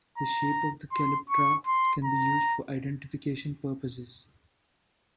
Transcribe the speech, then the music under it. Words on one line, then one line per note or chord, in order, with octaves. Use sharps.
The shape of the calyptra can be used for identification purposes.
A#5
C6
C#6
C6
A#5